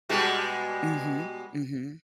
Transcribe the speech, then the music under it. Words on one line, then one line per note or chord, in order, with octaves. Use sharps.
Mhm, mhm.
B2 G3 G#3